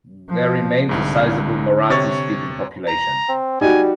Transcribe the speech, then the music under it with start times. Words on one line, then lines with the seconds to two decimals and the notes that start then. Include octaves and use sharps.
There remains a sizeable Marathi-speaking population.
0.28 F3
0.89 C2 G#2 D3
1.90 C3 C#5 C#6 A6
2.88 A#5
3.29 C4
3.61 G3 D#4 F#4 G#5